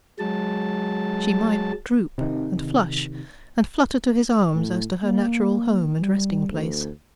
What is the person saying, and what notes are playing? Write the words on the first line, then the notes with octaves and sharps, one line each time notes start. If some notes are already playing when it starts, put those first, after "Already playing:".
She might droop, and flush, and flutter to his arms, as to her natural home and resting-place.
F#3 G#3 A5
C3 D#3
A2
A#3
G3
D2